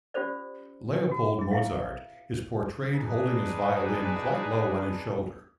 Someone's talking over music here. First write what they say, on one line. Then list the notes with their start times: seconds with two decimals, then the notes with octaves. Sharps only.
Leopold Mozart is portrayed holding his violin quite low on his shoulder.
0.14 C#4 F4 G4 A4 C5 D5
1.11 F#4
1.39 E4 G#4
1.51 E4 E5 F5
2.94 D4 D#4 G#4 B4